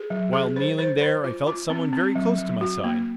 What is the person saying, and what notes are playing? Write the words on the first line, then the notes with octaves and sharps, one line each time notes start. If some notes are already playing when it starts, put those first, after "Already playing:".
While kneeling there I felt someone very close to my side.
Already playing: G#4
F#3
G#4
C5
C5
C5
F4
F4
C4
C4
F#3
F#3
F#4
A#3